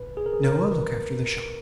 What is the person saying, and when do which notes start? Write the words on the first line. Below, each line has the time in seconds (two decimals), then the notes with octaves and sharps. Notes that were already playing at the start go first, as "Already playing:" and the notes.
Noah, look after the shop.
Already playing: A#2 B4
0.17 G#4
0.26 A#4
0.33 G#4
0.44 A#2 A#4
0.72 B4